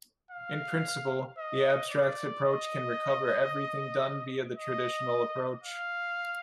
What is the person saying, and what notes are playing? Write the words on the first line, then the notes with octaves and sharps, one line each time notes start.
In principle the abstract approach can recover everything done via the traditional approach.
F5
D#5
D5
D#5
D#5
F5